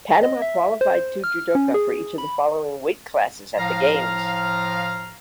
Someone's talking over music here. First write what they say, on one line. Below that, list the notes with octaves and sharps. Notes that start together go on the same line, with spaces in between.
Panama qualified two judoka for each of the following weight classes at the Games.
D#5
E5
C5
F6
C#4
G#4
B5
A2 F3 F5 A#5